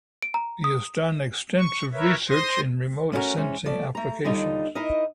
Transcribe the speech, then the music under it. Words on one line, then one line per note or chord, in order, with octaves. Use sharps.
He has done extensive research in remote sensing applications.
D7
A#5
D#6
C#6
A#4 B4 C#5 E5
C5 C6 D#6 A#6
A3 C#4 D#4 E4 F#4 A#4
C3 E3 G#3 C#4
F3 A3 D5
A3 A#5
D#2 D3 G3 D#4 F4
D#4 E4 A#4 D#5